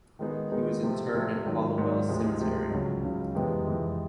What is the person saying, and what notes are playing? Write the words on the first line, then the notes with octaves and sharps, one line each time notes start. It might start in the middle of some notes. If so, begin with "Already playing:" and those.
He was interred in Hallowell Cemetery.
D#3 G#3 B3 D#4 G#4
D#3 G#3 B3 D#4 G#4
C3 F3 A3
C3 F3 A3
G#2 D#3 F#3
G#2 D#3 F#3
D2 C3 F3 G#3
D2 C3 F3 G#3
C#2 C#3 F#3
C#2 C#3 F#3
F2 C3 E3 G#3 B3
F2 C3 E3 G#3 B3